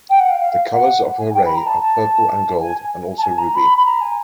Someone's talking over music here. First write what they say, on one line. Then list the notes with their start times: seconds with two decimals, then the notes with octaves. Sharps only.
The colors of her Ray are purple and gold, and also ruby.
0.10 G5
0.20 F#5
0.31 F5
0.41 F5
0.73 F#5
1.19 G#5
1.34 G5
1.46 B5
1.56 A#5
1.66 A5
1.82 A5
2.60 G#5
3.18 A5
3.23 G#5
3.38 A#5
3.55 B5
3.78 B5
3.85 A#5
4.01 G#5